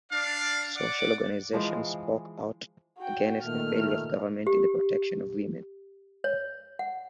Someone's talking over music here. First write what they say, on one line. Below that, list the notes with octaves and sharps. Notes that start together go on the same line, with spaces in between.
Social organisations spoke out against the failure of government in the protection of women.
D4 D5 F5
D5 F#5 D6
E3 F3 G#3 C5
F#4 G5
A#2 D#3 A3 F6
G4
C#5
F#5